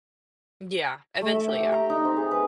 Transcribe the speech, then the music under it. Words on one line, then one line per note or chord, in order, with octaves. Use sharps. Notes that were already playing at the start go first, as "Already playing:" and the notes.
Yeah, eventually, yeah.
A3
E5
G4
G5
A#5
D#4
C4
G#4
B4